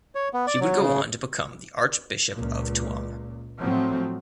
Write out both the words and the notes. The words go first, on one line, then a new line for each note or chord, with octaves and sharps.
He would go on to become the Archbishop of Tuam.
C#5
B3
D5
F#3
C#3
C#2 A#2
A2 F3 F#3 A3 C4